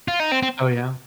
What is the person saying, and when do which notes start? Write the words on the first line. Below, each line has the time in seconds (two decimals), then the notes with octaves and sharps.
Oh, yeah.
0.08 F4
0.20 D#4
0.32 C4
0.43 C4